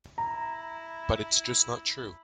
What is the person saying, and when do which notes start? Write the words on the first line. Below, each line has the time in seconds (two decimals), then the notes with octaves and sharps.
But it's just not true.
0.18 E4 A#5